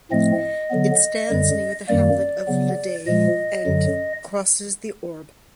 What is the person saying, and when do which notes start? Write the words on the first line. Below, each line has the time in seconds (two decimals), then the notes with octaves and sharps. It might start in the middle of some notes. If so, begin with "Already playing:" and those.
It stands near the hamlet of "Le Day" and crosses the Orbe.
0.11 A2 F3 A3 C4 D#5
0.70 D3 F#3 B3
1.29 F#2 D3 G3
1.88 F#2 D#3 G3 A#3 D5
2.47 C#3 F#3 B3
3.07 A#2 F3 G#3 D#5
3.66 F#2 D3 F#3